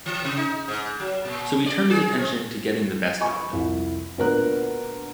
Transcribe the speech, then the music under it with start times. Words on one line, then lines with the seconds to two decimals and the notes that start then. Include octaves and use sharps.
So he turned his attention to getting the best out of it..
0.06 E3
0.24 C3
0.37 D#4
0.68 G#2
1.00 F#3
1.25 A#2
1.66 D5
1.90 G#4
2.18 C4
3.20 D#5 G#5 B5 C#6
3.53 C2 F2 E4
4.18 D2 A#2 B3 A#4 A#5 F#6